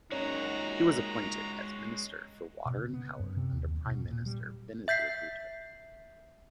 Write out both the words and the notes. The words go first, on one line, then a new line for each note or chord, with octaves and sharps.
He was appointed as Minister for Water and Power under Prime Minister Benazir Bhutto.
F#2 A#2 G#3 C#4 D#4 F#4 A#5
B2
C#3
B3
F#2
C3
D#2
B2
A#2
G3
E5 G6 B6 C7